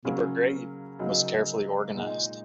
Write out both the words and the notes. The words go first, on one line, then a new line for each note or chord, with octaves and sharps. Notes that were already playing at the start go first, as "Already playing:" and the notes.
The Brigade was carefully organized.
C#3 F#3 A#3 C#4
C#3 F#3 A#3 D#4 G#4
A#2 G#3 D#4